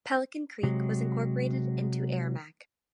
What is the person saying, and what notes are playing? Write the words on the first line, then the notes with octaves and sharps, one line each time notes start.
Pelican Creek was incorporated into Aramac.
C3 F#3 G#3